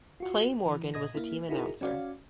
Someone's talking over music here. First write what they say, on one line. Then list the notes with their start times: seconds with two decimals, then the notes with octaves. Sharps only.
Clay Morgan was the team announcer.
0.20 F4 F#4
0.66 E3
0.94 A#2 D#5 D#6 G#6 A#6
1.14 A#3 E4
1.49 D#4 E4 F#4 G#4 A#4
1.81 C#4 F#4 D5 F5